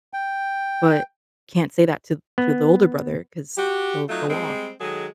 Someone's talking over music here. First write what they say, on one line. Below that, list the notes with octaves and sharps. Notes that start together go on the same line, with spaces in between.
but can't say that to to the older brother 'cause he'll go off.
G5
B3
F#4 G4
F#3 A3 D#4 F4
G3 G#3 C4
D#3 F#3 G#3 G#4 A4